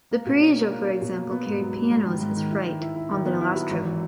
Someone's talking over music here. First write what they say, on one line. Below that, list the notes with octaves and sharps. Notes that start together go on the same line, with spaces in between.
The "Prussia", for example, carried pianos as freight on their last trip.
A#3
B2
C#4
A#3
A#3
C#4
B2
A#3
B3
G#2
F#3
B3
G#2
D#3
G#2
D#3
E4
D#3
E4
E4
D#3
B3
E4
F#3
G#1
E3